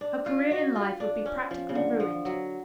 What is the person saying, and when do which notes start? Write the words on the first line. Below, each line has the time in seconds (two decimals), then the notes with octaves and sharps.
Her career in life would be practically ruined.
0.01 D4
0.26 F4
0.51 F#4
0.76 F4
1.00 D4
1.26 C#4
1.51 F3
1.69 C#3
1.75 D3
2.00 F3
2.25 F#3